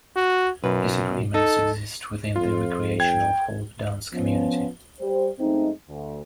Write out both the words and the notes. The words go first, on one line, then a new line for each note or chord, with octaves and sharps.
Disagreements exist within the recreational folk dance community.
F#4
B1 F#2 B4
D#4 A4
F2 F4
G5 G#6
F3 B3 C#4
G3 C5
F#2 G#3 A3 C4 D#4
D2